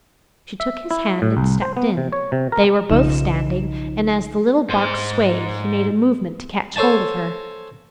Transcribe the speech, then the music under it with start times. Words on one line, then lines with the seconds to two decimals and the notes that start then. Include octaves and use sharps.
She took his hand and stepped in; they were both standing, and as the little bark swayed he made a movement to catch hold of her.
0.60 E5
0.91 E4
1.22 A2
1.37 C2
1.62 C5
1.77 B3
1.97 C3
2.12 C#5
2.32 C3
2.52 A#4
2.90 B1 C#3 F3 D#4 E7
4.69 G#2 C5
6.76 A4 C5 C#5 G#5 A5